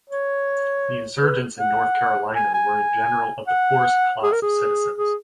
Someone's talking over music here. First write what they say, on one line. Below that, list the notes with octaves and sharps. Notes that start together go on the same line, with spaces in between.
The insurgents in North Carolina were in general of the poorest class of citizens.
C#5
B4
F#5
G#5
G#5
F#5
G#4
A#4
G#4
G#4